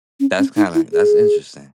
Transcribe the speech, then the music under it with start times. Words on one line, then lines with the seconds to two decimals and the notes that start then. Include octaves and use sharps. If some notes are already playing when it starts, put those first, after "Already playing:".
That's kinda that's interesting.
0.20 C#4
0.38 C#4
0.56 D#4
0.75 E4
0.93 G#4